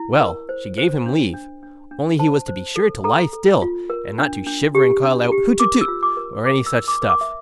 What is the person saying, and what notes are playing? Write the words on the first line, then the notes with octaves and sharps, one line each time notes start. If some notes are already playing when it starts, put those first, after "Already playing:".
Well! she gave him leave, only he was to be sure to lie still, and not to shiver and call out 'hutetu', or any such stuff.
Already playing: E4
A#4
C5
C5
D4
D4
D4
D4
C5 A5
C5
A4
A4 A#5
A4
F4
A#4
D4
D4
G4
D4
G4
A#4 D6
E6
F4
D6
A#4
A#4 D6
E6
A#4
D6
A#4
D6
E5